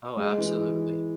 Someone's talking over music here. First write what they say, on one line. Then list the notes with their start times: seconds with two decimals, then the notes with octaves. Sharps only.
Oh, absolutely.
0.17 G#3
0.38 E3